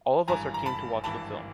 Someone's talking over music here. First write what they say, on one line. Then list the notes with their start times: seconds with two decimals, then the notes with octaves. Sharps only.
All of us are keen to watch the film.
0.28 G#1 G2 E3 G#5 A#5
0.54 A#5
0.66 A5 B5
1.04 G#1 G2 E3 A5 B5